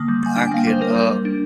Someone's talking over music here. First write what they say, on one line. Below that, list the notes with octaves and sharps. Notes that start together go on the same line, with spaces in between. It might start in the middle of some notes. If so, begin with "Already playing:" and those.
I could, uh,
Already playing: D3 A#3 D#6
G3
G3 G#5
D4 G#5
G5
A#3 F5
G5
G3 C5
A#3 A#4
G3
G3
D4